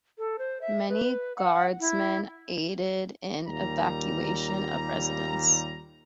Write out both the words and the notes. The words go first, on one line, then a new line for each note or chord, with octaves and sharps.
Many guardsmen aided in evacuation of residents.
A4
C5
E5
B4
F#5
E4
D#2 A#2 G3 A#5